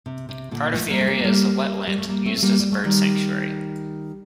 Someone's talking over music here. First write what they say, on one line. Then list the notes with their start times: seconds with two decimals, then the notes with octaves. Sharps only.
Part of the area is a wetland used as a bird sanctuary.
0.06 C3
0.29 C3
0.51 A#2 D3
0.74 F3 A3
0.91 G3 A#3
1.01 A3
1.07 G3 A#3
1.20 C4
1.24 G3 A#3
1.87 G3
1.98 A3
2.09 G3 A#3
2.26 A3 C4
2.37 A3
2.42 G3 A#3
2.60 G3
2.72 A3
2.84 D#3 G3